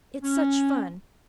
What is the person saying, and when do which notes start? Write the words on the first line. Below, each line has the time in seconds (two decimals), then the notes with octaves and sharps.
It's such fun!
0.22 C#4